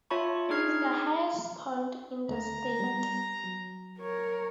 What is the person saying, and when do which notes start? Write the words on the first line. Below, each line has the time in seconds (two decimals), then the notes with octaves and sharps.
It is the highest pond in the state.
0.10 F4 C#5 E5 A5 B5 C#6
0.50 D4 D#4 G#4 F6 G#6 C7
2.29 D2 A3 A#5
2.80 G3 B3
3.44 F#3
3.99 A#4 C#5